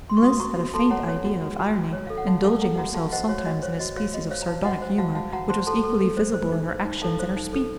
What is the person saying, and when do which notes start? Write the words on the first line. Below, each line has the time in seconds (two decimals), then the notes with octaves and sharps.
Mliss had a faint idea of irony, indulging herself sometimes in a species of sardonic humor, which was equally visible in her actions and her speech.
0.09 C6
0.17 C#6
0.23 F#4 C6 D#6
0.40 F#4 A#5 C#6
0.57 F#4
0.74 A4 A5 C6
0.85 A5
0.91 C#5 F#5 A#5
1.08 C#5
1.25 F#4
1.42 F#4
1.59 F#4
1.77 F#4
1.93 C#5
2.07 A4 F5
2.18 F#5
2.26 F#4 F5 A5
2.44 A4 F5 A5
2.61 A4 F#5 A#5
2.78 F#4 F#5 A#5
2.94 F#4 F5 A5
3.12 C5 D#5 F#5
3.28 F#4 C#5 F5
3.39 C#5
3.46 F#4 D#5
3.62 C5 C#5
3.79 F#4 D#5
3.97 F#4 C#5 F5
4.14 F#4 D#5
4.30 C5 C#5 F5
4.42 A#5
4.47 C5 F5 A5
4.64 F#4 D#5 F#5
4.82 C5
4.98 F#4 F5 A5
5.15 F#4 F5 A5
5.33 F#4 F#5 A#5
5.49 C5 A5 C6
5.67 A4 A5 C6
5.84 A4
6.01 A4
6.17 C5
6.34 C5
6.52 D#4
6.69 C5
6.85 D#4
7.02 A4 F5 A5
7.19 C5
7.36 D#4
7.53 A4